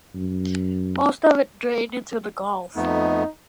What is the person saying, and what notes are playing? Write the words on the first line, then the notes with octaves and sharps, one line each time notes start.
Most of it drained into the Gulf.
F#2
F2 A3 B3 D#4